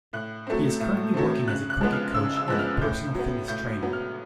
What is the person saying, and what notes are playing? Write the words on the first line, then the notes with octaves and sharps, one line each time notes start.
He is currently working as a cricket coach and a personal fitness trainer.
A2 F#6
F#3 A3 C4
A2
F#3 A3 C4
C#3 F#6
F#6
F3 G#3 B3
F6
C#3 E6
E6
F3 G#3 B3 F#6
F6
A2 G6
F#3 B3
A2 G6
F#3 B3
F6